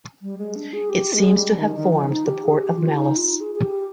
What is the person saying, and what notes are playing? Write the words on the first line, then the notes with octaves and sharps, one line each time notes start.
It seems to have formed the port of Mallus.
G3
G#3
D4
G#4
G4
G#3
G3
D#3
D#3
F3
D4
D#4
G4
G#4
G4
F4
D#4
F4
G#4
G#4
G4